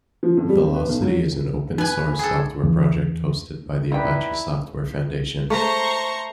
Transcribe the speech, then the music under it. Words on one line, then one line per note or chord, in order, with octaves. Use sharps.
Velocity is an open source software project hosted by the Apache Software Foundation.
F3
F2
G3
C4
B4
B1
F#3
D#4 B4 G#5
G#4 A4
E2
D#4 E4 B4 D5 G5
A3 C5 A#5 C#6